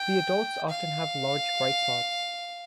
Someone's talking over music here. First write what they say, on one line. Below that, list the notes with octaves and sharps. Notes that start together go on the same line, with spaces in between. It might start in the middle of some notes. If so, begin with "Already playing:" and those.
The adults often have large bright spots.
Already playing: G5
F5